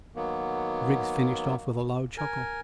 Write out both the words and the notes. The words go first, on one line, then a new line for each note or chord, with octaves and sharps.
Griggs finished off with a loud chuckle.
D#3 F#3 A#3 B3
A#4 G#5